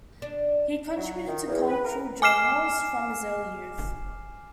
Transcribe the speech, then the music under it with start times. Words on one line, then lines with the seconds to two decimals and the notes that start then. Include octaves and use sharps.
He contributed to cultural journals from his early youth.
0.22 D4
0.97 F#3
1.27 D#3
1.47 E2
1.68 B4
1.85 A#4
2.22 G#5 D6 F6 C7 E7